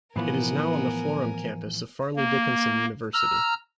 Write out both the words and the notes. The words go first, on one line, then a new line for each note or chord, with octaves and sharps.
It is now on the Florham Campus of Fairleigh Dickinson University.
A2 E3 F3 B3 A#4 G#5
A#3
A#5 E6 F6